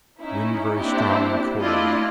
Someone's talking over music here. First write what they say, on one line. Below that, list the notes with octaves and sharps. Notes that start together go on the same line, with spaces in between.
Wind very strong and cold.
C#4 D#4 E4
A#3 C4 D4 E4 G4
A3 D4 E4 F4 D5 D#5